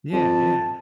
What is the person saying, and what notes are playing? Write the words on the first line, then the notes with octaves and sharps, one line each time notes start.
Yeah. Yeah.
F2 A5